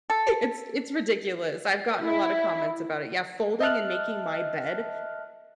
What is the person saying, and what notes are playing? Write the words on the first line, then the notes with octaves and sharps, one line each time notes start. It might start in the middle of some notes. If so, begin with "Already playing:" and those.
it's it's ridiculous, I've gotten a lot of comments about it; yeah, folding and making my bed
A4
E4
D#5 E5 A5 F6 F#6